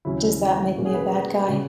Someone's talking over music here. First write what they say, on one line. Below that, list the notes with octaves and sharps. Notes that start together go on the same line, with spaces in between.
Does that make me a bad guy?
D#2 C#3 F#3 C#4 E4
B2 A#3 C#4 F#4
G#4
B4
G#4
C#3 G#3 C#4 F#4